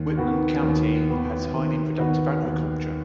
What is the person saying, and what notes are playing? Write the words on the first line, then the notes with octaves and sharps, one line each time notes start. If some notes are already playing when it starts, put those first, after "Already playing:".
Whitman County has highly productive agriculture.
Already playing: D#2
D#3 B3 F#4
D#2
D#3 B3 F#4
D#2
D#3 B3 F#4
D#2